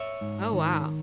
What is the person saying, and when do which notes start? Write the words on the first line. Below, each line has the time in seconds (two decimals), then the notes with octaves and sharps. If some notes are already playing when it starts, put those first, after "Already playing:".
Oh, wow.
Already playing: C#5 E5
0.21 G#2
0.53 D#3